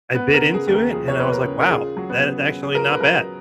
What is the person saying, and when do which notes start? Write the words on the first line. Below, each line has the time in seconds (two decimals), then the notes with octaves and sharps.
I bit into it, and I was like, "Wow, that that is actually not bad."
0.14 B3 B4
0.34 A#4
0.41 C#3
0.54 G#4
0.67 D#2
0.73 A#4
0.92 F3 G#4
1.08 C#5
1.18 B3 B4
1.32 A#4
1.44 C#3
1.60 A#4
1.70 F4 G#4
1.97 F#3
2.10 B3 B4
2.23 C#3
2.49 C#4
2.63 G#4
2.75 F4 A#4
2.92 B4
3.00 F#3 A#4